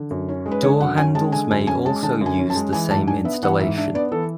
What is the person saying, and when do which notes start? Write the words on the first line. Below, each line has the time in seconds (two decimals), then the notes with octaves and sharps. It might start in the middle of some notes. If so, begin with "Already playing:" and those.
Door handles may also use the same installation.
Already playing: D3
0.11 F#2
0.29 C#4
0.46 G#3
0.51 B4
0.63 D3 C#5
0.80 F#2 F#5
0.97 C#4 G#5
1.15 G#3 A5
1.32 D3 G#5
1.51 F#2 G#5
1.67 C#4 G#5
1.85 G#3 A5
2.02 D3 A5
2.21 F#2
2.26 G#5
2.38 C#4
2.50 A5
2.55 G#3
2.73 E3 G#5
2.91 G#2 A5
3.07 D4 G#5
3.24 B3 E5
3.43 E3 F#5
3.60 G#2 E5
3.78 D4 E5
3.94 B3 D5
4.12 E3 A4